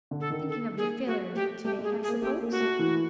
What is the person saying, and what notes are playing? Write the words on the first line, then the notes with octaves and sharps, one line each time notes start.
"Thinking of your failure of to-day, I suppose?"
D3
A4
D#3
A4
A#3 G#4
A3 F#4
A3 G4
A3 G4
G#3 G#4
A3
G#4
A#3
A3 G4
A#3
F#4
A3
E3